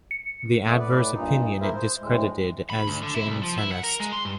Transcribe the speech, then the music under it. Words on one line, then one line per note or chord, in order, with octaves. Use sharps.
The adverse opinion it discredited as Jansenist.
C#7
A3 B3
A2 B4 D5
G2 A#2 D#4
A#3 E4 G#4 A#4 C5 E5
C5
D2 A2 G#3
B5
D2
D3
E4
C2
F3
E4
F#5
A#4
G#3
C6
G2